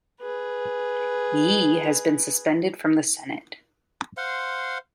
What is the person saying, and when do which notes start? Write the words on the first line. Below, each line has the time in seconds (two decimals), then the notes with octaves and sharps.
Yee has been suspended from the senate.
0.20 G#4 B4
4.17 C5 F5 F#5 C6